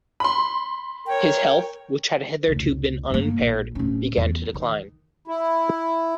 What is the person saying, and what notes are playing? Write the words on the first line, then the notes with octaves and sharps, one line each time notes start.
His health, which had hitherto been unimpaired, began to decline.
B5 C6
A#4 C#5 G5
F1 C#2
G1 A#3
A#1
D1 C#4
E2
D#3
E4